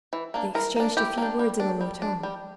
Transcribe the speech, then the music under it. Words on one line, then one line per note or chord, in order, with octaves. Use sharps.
They exchanged a few words in a low tone.
E3
A#3 D4
E3 A#4
A#3 D4
E3 G4
A#3 D4
G3
D4
G3
D4
G3